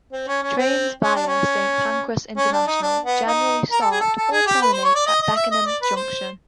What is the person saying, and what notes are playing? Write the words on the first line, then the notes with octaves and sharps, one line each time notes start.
Trains via Saint Pancras International generally start or terminate at Beckenham Junction.
C4
C#4
C#4
C4
C#4
D4
C#4
C#4
D4
D#4
D4
B3
D#4
A#4
A4
G#4
A4
A4
G#4
G4
B4
C5
C#5
D5
D#5
D#5
E5
D#5
D5
B4
C5